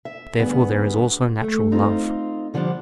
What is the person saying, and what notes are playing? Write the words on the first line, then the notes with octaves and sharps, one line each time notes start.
Therefore there is also natural love.
E5
D2 G2 B3 G#4
A3
C4 D#4 F4
D3 F3 G3 C#4 D4